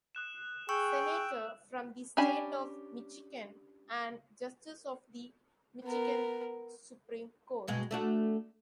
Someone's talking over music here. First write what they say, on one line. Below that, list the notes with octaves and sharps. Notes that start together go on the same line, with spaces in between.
Senator from the state of Michigan and Justice of the Michigan Supreme Court.
D#6 F#6 E7
G#4 G5 C#6 E6
C#4 D4 G4 G#5 B5
B3 A#4
G2 B2 G#3
A3 D4 F#4